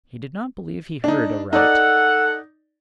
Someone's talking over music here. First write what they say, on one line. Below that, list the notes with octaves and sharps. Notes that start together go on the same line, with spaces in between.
He did not believe he heard aright.
D4 D#4
D#4 A4 D5 F#5